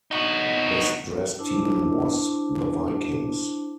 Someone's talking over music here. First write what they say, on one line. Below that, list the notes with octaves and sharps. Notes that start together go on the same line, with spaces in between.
Best dressed team was "The Vikings"!
D#4 F#4
D4 E4 C5 A5 D6